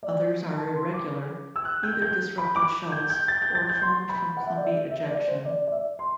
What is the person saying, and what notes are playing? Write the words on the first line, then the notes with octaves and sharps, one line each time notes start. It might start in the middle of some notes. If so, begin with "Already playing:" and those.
Others are irregular, either disrupted shells or formed from clumpy ejection.
D5
A5
C6
D6
E6
F#6
G6
G6
B5
D6
G6
G6
A6
G6
A6
G6
C6
B5
F#5
E5
D5
E5
E5
D5
C5
D5
D5
E5
C6